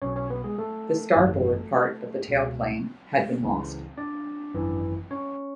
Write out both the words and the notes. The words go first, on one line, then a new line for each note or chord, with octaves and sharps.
The starboard part of the tailplane had been lost.
B1 B2 C#4 C#5
C#4 C#5
B3 B4
G#3 G#4
A3 A4
G#1 F#2 E3
C#2 B2
C#2 C#3 E3
D4 D5
G#1 F#2 E3
C#4 C#5